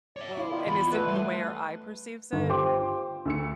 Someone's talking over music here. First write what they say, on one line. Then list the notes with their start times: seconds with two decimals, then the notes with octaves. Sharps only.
Woah, and is it the way our eye perceives it?
0.17 C#5 D5 E5
0.38 E4 F5
0.51 B2 D#3 B3 F4
0.67 E2 D5 B5
0.91 B2 A3 B3 E4 B4
1.08 F#2 E3 G3 C6
2.33 G1
2.49 F4 G4 C5 G5 C6 D6
3.25 D2 E6 C#7